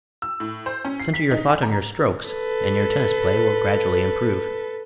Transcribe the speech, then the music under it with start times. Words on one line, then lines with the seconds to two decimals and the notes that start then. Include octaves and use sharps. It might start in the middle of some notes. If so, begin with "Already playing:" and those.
Center your thought on your strokes and your tennis play will gradually improve.
0.22 E6
0.40 A2
0.66 C5
0.85 C#4
1.00 C7
1.14 B6
1.31 D#4
1.48 G#5
1.62 A#5
2.27 A4 B4